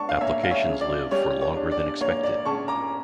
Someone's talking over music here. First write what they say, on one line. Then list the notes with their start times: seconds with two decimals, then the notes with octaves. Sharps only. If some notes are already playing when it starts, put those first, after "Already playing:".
Applications live for longer than expected.
Already playing: D4 A5 C#6
0.09 F5
0.21 A#3 C#5 E5
0.43 F5
0.51 C#5 E5
0.66 C#3
0.81 D5
1.11 G3 C#5
1.41 C#5
1.57 D4
1.72 D5
2.01 A#3 C#5
2.23 D5
2.46 C#3 A5 C#6
2.68 A#5 D6